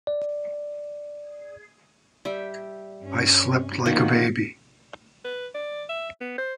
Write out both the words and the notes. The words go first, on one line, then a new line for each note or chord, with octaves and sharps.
I slept like a baby.
D5
G3 E5 G5
G2 C#4
D#3 F3 A#3 F#4
B4
D5
E5
B3
C5